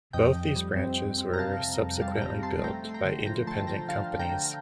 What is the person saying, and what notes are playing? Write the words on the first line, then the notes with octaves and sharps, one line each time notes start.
Both these branches were subsequently built by independent companies.
F2 D#5 G5
F2
G3
C4
C4
C4
A#5
C3 F5 A5
C3
F2
G5
G3 F5 A5
C4 G5 A#5
C4 A5 C6
A3 G5 A#5
A3 C6
G5 A#5
D3
F3 G5 A#5
A3 A5 C6
F3 G5 A#5
D3 F5 A5
D3
G5 A#5
D3